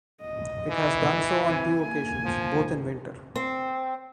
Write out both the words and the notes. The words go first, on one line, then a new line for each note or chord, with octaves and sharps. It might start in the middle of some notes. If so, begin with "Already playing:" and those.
It has done so on two occasions, both in winter.
D#5
E3
C4 G#5
A#3 G#5
F3
C4